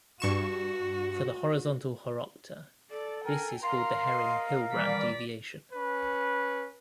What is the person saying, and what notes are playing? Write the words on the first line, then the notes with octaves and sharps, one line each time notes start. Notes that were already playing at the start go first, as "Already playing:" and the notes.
For the horizontal horopter this is called the Hering-Hillebrand deviation.
G2 F#4 C#6 E7
A4 D5
A#4 G5 G#5
A#4 F5 A#5 C6
D#5
D#3 E3 G3 D5 B6
C#4 B4